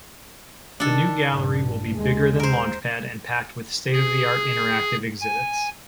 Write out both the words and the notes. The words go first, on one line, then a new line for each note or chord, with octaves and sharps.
The new gallery will be bigger than Launchpad and packed with state-of-the-art interactive exhibits.
D#3 D4 D#4 A4
A#1 G2
D#2 G#3
A#4 C5
G#4
G#5